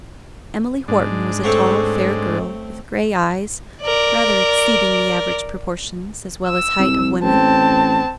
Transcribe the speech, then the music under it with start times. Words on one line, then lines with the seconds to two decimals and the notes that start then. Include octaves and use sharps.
Emily Wharton was a tall, fair girl, with grey eyes, rather exceeding the average proportions as well as height of women.
0.88 G#2 D4
1.44 A3 C4 C#5
3.83 A#4 D5
6.47 E6
6.79 C2
7.23 A1 C4 A5